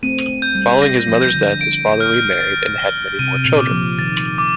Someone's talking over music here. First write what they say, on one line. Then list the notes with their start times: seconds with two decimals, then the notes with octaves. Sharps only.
Following his mother's death, his father remarried and had many more children.
0.03 A3 C4 D#7
0.28 A3
0.42 G6
0.55 G3
0.82 A#6
1.08 F3
1.22 G6
1.35 D3
1.61 D7
2.00 F6
2.40 A6
2.79 G7
3.19 C3 D#7
3.35 C3
3.45 A#2
3.59 D6
3.71 F3
3.99 D#3 A6
4.38 D6